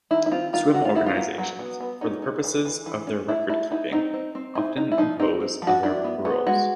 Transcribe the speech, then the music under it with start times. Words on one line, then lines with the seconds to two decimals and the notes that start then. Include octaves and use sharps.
Swim organizations, for the purposes of their record keeping, often impose other rules.
0.11 D#3 E4
0.26 E4
0.31 C4 F4
0.53 D#3 F4
0.74 D#3 F#4
0.85 F4
0.95 B3 E4
1.06 F4
1.17 F#3
1.38 F#3
1.59 B3
1.81 B3
2.01 C#4 D#4
2.22 C#4
2.44 E3
2.65 E3
2.86 E3
3.07 C#4
3.28 A3 E4
3.50 A3 E4
3.71 D#4 E4
3.92 C4 D#4
4.13 C4
4.35 C4
4.55 D#4 E4
4.77 D#4
4.92 E4
4.98 F3 D#4
5.20 C4 D#4
5.40 C4
5.62 F3
5.67 F#4
5.83 D4 E4
6.04 B3
6.25 B3
6.47 G#3 F#4